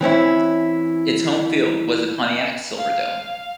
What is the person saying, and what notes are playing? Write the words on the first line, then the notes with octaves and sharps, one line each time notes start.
Its home field was the Pontiac Silverdome.
E3 C4 C#4 E4
F5